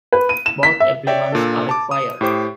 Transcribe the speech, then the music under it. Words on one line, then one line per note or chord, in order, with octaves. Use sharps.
Both elements are required.
B4
D#7
E7
B6
E5
C#5 D5 E5 G5
A#2 D4 A4
A5 D6
D#6
A2 G4 C5 D6